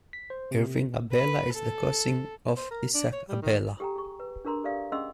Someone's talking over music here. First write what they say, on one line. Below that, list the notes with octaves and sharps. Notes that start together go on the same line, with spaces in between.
Irving Abella is the cousin of Isaac Abella.
B6
C5
C3
B4
A4
C5
A#4
D4
C#5
G3
D#3
G4 A4 G5 G#5 A#5
G#4 C#6
B4
D4 G#4 A#4 A#5 C6
G4 A4 A#4 D5 E5 F5
C#4 G#4 D#5 F#5 C6 E6